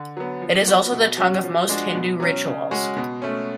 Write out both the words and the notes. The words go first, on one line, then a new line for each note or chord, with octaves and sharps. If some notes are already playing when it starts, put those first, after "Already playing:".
It is also the tongue of most Hindu rituals.
Already playing: D3
F#3 B3
F3
B3 F#4
B2
F#3 C#4 F#4
F3
G#3 D4 F#4
B2
F#3 C#4
C#3
G#3 C#4 F#4
B2
A3 C#4